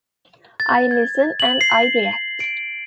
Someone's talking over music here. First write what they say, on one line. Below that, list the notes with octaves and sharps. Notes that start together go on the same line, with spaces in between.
I listen and I react.
A6
G#6
F#7
C7
D7